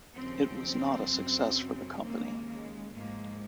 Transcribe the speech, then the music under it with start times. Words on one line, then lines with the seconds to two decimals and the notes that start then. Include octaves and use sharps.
It was not a success for the company.
0.16 D#2 C#3 F3 C4
1.09 F#2 C#3 F#3
2.01 D#2 C#3 G#3 A#3
2.48 G#3
2.95 G#2 F3 G#3 A#3